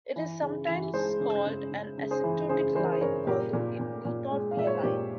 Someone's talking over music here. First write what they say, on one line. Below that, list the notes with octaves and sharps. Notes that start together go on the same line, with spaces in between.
It is sometimes called an asymptotic line, although it need not be a line.
E3
C#3
E3
G#3 G#4 C5
C#3
C#3
C#3
C#3
G#4 C5
E3
C#3 G#4 C5
E3 C5
A#4
G#4 C5
C#3 A#4 C#5
A#2 G4 A#4
A#2
A#2
A#2
G#3
F5
A#2 E5
C#5
C5
A#2 G4 A#4